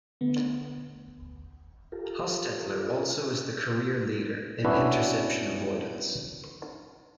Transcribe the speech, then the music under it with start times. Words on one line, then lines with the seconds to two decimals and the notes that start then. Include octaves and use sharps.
Hostetler also is the career leader in interception avoidance.
0.21 D3 A3 B3
1.92 F4 G4 A4 A#4
4.64 B3 C#4 D4 E4 F#4 B4